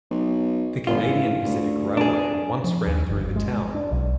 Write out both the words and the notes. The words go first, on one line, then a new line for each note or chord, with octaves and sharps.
The Canadian Pacific Railway once ran through the town.
B1
G1 F4
E3
D2
D4 G#4
F3
D#2
G1
G#3
D4
B1